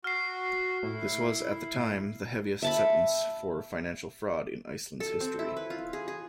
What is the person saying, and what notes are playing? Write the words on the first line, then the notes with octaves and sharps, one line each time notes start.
This was, at the time, the heaviest sentence for financial fraud in Iceland's history.
F#4 F6 C7
A2 E4
E5 A5 B5
A4
C4
E4
B4
F4
G#4
G#4